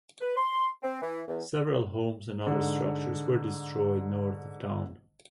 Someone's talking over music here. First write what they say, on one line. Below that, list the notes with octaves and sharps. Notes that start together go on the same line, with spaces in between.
Several homes and other structures were destroyed north of town.
B4
C6
C4
E3
E2
G#2 D3